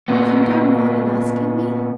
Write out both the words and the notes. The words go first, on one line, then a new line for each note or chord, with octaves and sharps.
Have you done wrong in asking me?
A#2 B3